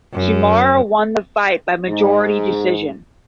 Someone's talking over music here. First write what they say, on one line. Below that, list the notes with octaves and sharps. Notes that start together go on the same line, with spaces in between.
Tsumura won the fight by majority decision.
F#2
G#2